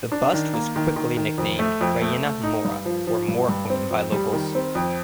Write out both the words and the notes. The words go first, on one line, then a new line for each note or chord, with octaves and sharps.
The bust was quickly nicknamed "Reina Mora" or "Moor Queen" by locals.
D4
D#3
A#3
D#3
D#3
D#3
F2
A3
F2
A3
A3
D#4
G2
F3
F3
G2
G2
C4
F2
G3
D#3
C4
F2